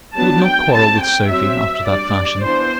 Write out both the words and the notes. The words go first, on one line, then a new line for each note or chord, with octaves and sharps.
She would not quarrel with Sophie after that fashion.
F#3 B3 D4 A5
G5
G3 C4 A5
G5
F#3 C4 E5
G3 D4 D5
E3 B3 D4 C5